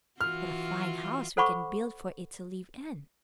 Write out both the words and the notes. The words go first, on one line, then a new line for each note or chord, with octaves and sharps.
What a fine house we can build for it to live in!
E3 F4 F#4 F6
A4 C5 F#5 B5 C#6 D6